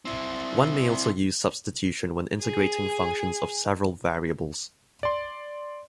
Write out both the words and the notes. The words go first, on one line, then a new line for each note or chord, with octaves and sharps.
One may also use substitution when integrating functions of several variables.
C4 E4
G#4 G#5
D5 C6